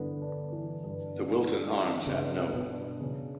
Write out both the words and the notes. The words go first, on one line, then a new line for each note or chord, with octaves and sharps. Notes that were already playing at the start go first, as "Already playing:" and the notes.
The Wilton Arms at no.
Already playing: G2 D3 E3 B3
D4
E3
G2
B3
D4
E3
G2 C#3
B3
B2
D4
C#3